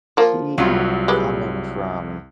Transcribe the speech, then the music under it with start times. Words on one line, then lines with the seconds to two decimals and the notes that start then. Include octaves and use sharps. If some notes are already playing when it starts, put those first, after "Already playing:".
he coming from,
0.17 F3 A#3
0.58 C2 F#3 G3 F4
1.08 G#3 G4 B4